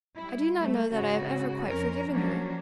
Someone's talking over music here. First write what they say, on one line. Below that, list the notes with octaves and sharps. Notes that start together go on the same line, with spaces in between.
I do not know that I have ever quite forgiven her.
G3 E4
G3 A3
G#2 C#3 F#4
F2 C#4 A#4
F3 F#3 A#3 C#4 D4